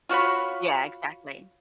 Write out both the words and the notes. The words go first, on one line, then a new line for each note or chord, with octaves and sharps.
Yeah, exactly.
F4 F#4 C#5 B5